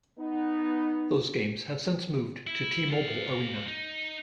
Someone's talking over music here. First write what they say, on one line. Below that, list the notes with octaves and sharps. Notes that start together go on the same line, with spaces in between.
Those games have since moved to T-Mobile Arena.
B3 D#4
E4
A4 F5
D#4